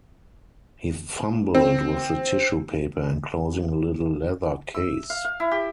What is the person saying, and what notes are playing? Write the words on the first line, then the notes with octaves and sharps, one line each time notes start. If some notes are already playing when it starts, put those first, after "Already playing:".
He fumbled with the tissue paper enclosing a little leather case.
C4
E6
F5
F5
E4
G4